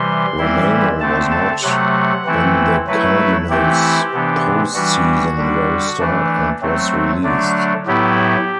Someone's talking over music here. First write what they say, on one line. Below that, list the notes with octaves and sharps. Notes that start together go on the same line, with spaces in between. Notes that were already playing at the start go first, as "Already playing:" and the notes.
Romano was not on the Cardinals postseason roster and was released.
Already playing: C3 E3 G3 C6
E3 G3 C4 E4
D3 A3 C4 A5
A5
C3 F#3 A3 F#5
E3 A3 C4 E4
F#3 A3 E4 B4
E3 A3 C4 E4 G4
C3 E3 B3 D4
E3 G3 D4 F#4
D3 G3 D4
E3 A3 D4
F#3 A3 C4
D3 F#3 A3 D4
A2 F#3 B3 E4 G4